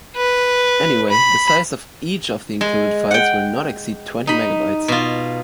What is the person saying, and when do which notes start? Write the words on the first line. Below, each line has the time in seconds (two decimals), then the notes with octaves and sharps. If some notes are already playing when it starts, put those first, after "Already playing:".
Anyway, the size of each of the included files will not exceed twenty megabytes.
0.16 B4
1.10 B5
2.61 G#3
3.11 F#5 G5
4.27 D#4 B5
4.88 B2 F4